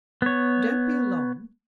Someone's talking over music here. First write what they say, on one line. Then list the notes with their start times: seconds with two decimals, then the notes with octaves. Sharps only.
Don't be alarmed.
0.22 B3 C#5